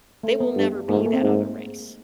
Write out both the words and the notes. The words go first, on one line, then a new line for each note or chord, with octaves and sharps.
they will never be that other race.
A3
B3
G2
G#2 A#3
A3
A#3
C4
G#2